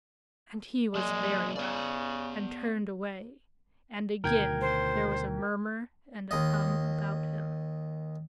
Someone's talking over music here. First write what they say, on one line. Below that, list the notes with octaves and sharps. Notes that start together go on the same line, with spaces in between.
And he was very wrath, and turned away; and again there was a murmur and a hum about him.
F#3 G#3 A#3 D5
C#3 B3 D5
D2 B2 D#3 A#4 G5 G#6
C5
D#2 D#5